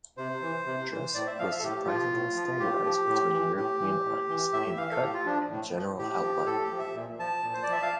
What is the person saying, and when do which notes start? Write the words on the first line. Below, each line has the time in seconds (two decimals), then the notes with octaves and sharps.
Dress was surprisingly standardised between European armies in cut and general outline.
0.17 C3 C5
0.42 E3
0.66 C3
0.90 E3
1.14 A2 D5
1.27 E5
1.39 F3 F5
1.51 E5
1.59 A4
1.63 A2 G4
1.87 F3 F4
2.11 A2
2.35 F3
2.59 A2 G4
2.84 F3
3.08 A2
3.32 E3
3.56 A2 G4
3.81 E3
4.05 A2
4.29 E3
4.53 A2 E5
4.77 E3 F5
4.92 A4
5.01 A2 G4
5.14 F4
5.26 F3 D4
5.50 A2
5.74 F3
5.98 A2 G4
6.23 F3
6.46 A2 A4
6.63 G4
6.71 F3
6.79 E5
6.95 A#2
7.19 F3 A5
7.43 A#2
7.54 C5
7.63 D5
7.68 F3 E5
7.82 F5